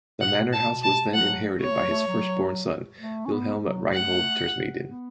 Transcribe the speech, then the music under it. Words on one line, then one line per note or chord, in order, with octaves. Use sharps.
The manor house was then inherited by his firstborn son Wilhelm Reinhold Tersmeden.
A2 F#5
B2
A2
A5
C#3
B2
A5
F#3 F#5
B3 C#5
A3
F#3
A3
F#3
A3
C#4
B3
F#3
A3 F#5
B3